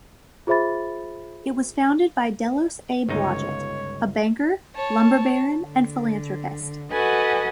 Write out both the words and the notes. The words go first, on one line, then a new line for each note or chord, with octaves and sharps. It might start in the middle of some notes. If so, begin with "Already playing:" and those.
It was founded by Delos A. Blodgett, a banker, lumber baron, and philanthropist.
F4 G#4 C5 E5 B5 A6
G1 C#2 D#4 C#5
C#5 A5
D3
F#4 A4 B4 D#5 F#5 G#5